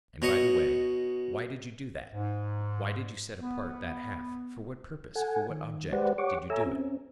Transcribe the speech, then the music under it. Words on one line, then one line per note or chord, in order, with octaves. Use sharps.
And by the way, why did you do that--why did you set apart that half, for what purpose, for what object did you do it?
B2 C#5 D#5 C#6
G#2
B3
A4 F#5 G#5
D#3
G#3 G4 B4 C5 D5 F#5
G4 C#5 F#5 C#6 D6
A4 C#5 E5 G#5 A#5 E6
C4 C#4